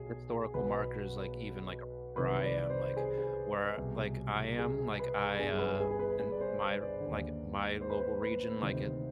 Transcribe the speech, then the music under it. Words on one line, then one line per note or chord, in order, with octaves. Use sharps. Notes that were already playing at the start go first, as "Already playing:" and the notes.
historical markers, like, even, like, around where I am, like where, like, I am, like I, uh and my r like, my local region, like, it
Already playing: B1 B2 G#4
B1 B2 B4
C2 C3 D#3 B4
D5
C5
G#4
G#4
C2 B2
G#4
B4
G1 G2 D3 G#4
B4
G#4
G#4
B4
G#4
D5
C5
C5
D5
D3
D#2
C5
B4
C5
B4
D2 C3 D#3 C5